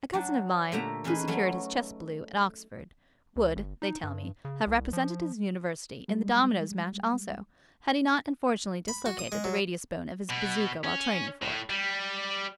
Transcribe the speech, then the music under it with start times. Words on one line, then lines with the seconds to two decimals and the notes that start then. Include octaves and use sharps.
A cousin of mine, who secured his chess blue at Oxford, would, they tell me, have represented his University in the dominoes match also, had he not unfortunately dislocated the radius bone of his bazooka while training for it.
0.13 F#3 D4
0.72 A#2 D3 A3 G4 E5 A#5
1.04 E3 C#4 D#4 G#4 B4
1.28 F#3 A3 C#4
3.36 C#2
3.56 G1
3.82 D#4
4.03 G2
4.45 C#3
4.67 C2
4.93 F3
6.08 G3 G#3
8.88 B5
9.06 F#4
9.19 D#6
9.32 G#3
9.44 F#3
10.29 B2
10.84 C#4
11.42 A2
11.70 G3